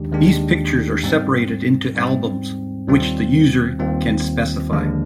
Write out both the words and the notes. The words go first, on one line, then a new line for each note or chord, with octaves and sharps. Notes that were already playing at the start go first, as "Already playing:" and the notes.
These pictures are separated into albums, which the user can specify.
Already playing: D#2 D#3 G#3 D4 G4
D#2 D#3 G#3 D4 G4
G#2 G3 C4
G#2 G3 C4
D#2 D#3 G3 C4 F4
D#2 D#3 G3 C4 F4
D#2 D3 F3 G#3 D4